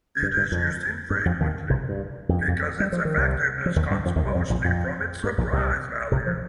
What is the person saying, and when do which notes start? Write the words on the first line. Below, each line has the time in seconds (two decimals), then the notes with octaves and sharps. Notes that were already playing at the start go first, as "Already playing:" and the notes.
It is used infrequently, because its effectiveness comes mostly from its surprise value.
0.23 G2
0.37 G2
0.52 F2
1.10 G2
1.25 F2 F3
1.40 D#2 D#3
1.70 C2 C3
1.89 G2
2.29 F2
2.48 F2
2.80 G3
2.92 F3
3.05 D#3
3.17 C2 C3
3.66 F3
3.76 D#2 D#3
3.90 G2 G3
4.05 F2 F3
4.16 D#2 D#3
4.25 C2 C3
4.35 F2 F3
4.50 A#1 A#2
4.64 F2
5.24 G2
5.38 A#1 A#2
5.53 C2 C3
6.12 C2 C3
6.26 F3